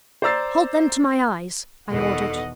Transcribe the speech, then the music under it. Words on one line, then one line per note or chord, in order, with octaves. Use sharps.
"Hold them to my eyes," I ordered.
C5 D5 A#5 E6 A6 C7
E2 B2 D#3 A4 D#5 F#5